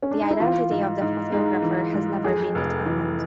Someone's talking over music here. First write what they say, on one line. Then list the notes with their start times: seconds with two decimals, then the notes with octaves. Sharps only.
The identity of the photographer has never been determined.
0.02 C#4
0.11 D4
0.21 D#4
0.31 E4
0.40 E3 F4
0.71 G#2
1.02 G#2
1.32 G#3 D#4
1.62 E3
1.94 G#2
2.24 F2 G#4
2.55 F1
2.85 E3